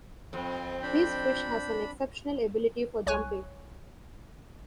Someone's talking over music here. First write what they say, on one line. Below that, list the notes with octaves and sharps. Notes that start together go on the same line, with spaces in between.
These fish has an exceptional ability for jumping.
F2 C4
D4 B5 G6
C2 C#5 G#5 C#6 F#6